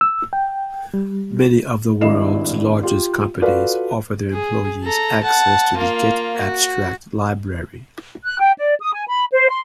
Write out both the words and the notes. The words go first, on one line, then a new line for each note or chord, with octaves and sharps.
Many of the world's largest companies offer their employees access to the getAbstract Library.
E6
G5
G3
G#1 G2 E4 D#5 C7 E7
F4 G4
F4 F#4 A4 B4 D5 F5
G#4
A4 A#5
F#5 A5
A#3 F4
F#4
F#6
G5
D5
D#6
G#5
B5
C5
C6